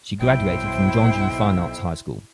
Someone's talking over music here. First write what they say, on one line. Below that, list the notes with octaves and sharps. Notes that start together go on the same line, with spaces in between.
She graduated from Jeonju Fine Arts High School.
B1 E4 C5 E5 G5